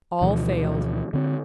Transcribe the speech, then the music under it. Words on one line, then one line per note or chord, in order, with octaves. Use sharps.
All failed.
D2 B2 E3 F3
D3 C4